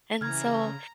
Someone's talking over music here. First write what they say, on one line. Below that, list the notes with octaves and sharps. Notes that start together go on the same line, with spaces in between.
And so
C#3 E3 A#5 F6 G#6